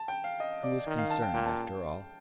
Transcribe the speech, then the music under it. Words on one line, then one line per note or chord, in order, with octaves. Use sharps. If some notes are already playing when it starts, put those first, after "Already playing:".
Who was concerned, after all?
Already playing: A5
G5
F5
D#5
D5
D#3
F5
A5
G5
F5
A#2 G5
A5